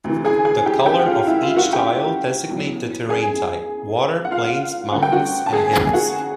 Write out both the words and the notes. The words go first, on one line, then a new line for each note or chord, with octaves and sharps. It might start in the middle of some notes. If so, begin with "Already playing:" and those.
The color of each tile designate the terrain type; water, plains, mountains and hills.
D2 C3 E3
G#4 G#5
G#4 G#5
G4 G5
G4 G5
F#5
F4 F5
E4 E5
F4 F5
F#4 F#5
G4 G5
E2 B2 F#3
G#4 G#5
F#5
F4 F5
G1 G2 D3 F#5
G5
F#4 F#5
A5
G#4 G#5
G#4 G#5
F#4 F#5